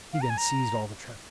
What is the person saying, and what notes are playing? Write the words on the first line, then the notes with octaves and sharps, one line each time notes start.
He then seized all the trout.
F5
A#5
G#5
A#5